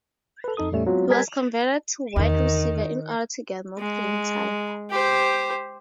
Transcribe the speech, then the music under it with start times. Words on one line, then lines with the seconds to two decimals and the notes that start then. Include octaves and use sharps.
He was converted to wide receiver in order to get more playing time.
0.44 A4 B4
0.57 F2 D#4 A4 D#6
0.72 E2 A2 G3 A3 C#4
0.86 F#3 G#3 B3 C4 F4 F#4
1.10 G3 A#4 C5 G#5 G#6 B6
2.16 E2 D3 D#3
3.78 G#3
4.90 G4 C5